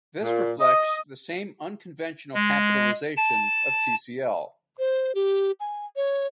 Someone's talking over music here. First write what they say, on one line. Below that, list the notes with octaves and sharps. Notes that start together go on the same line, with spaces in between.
This reflects the same unconventional capitalization of Tcl.
A#2
D#5
G#3
A5
C5
G4
G#5
C#5